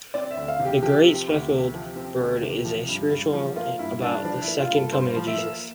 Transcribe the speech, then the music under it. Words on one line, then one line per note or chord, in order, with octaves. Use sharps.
"The Great Speckled Bird" is a spiritual about the Second Coming of Jesus.
C4 D5
E5
D2
F5
C3
G4
F3 G4
C4
D2
C3
F3
C4
D2
C3
F3
G2
G2
F3
A#3 F4
G2 E4
G2 D4
F3 D4
E4
A#3
F4
G2
A4
G2 C5
F3
E5
A#3